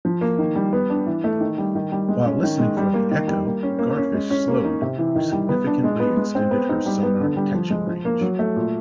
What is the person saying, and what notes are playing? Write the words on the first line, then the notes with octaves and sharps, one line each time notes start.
While listening for the Echo, "Guardfish" slowed which significantly extended her sonar detection range.
F3
A#3
D#3
G3
B3
D4
E3
A3
D#3
G3
D#3
G3
G#3
C#4
D#3
G#3
G3
A#3
D#3
G3
A#3
C#4
A#3
C#4
G#3
C#4
A#3
D#4
C3
E3
D#3
G3
B3
D4
G#3
B3
G#3
C4
B3
D#4
G3
B3
D3
G3
F3
G#3
F3
A#3
F#3
A3
A#2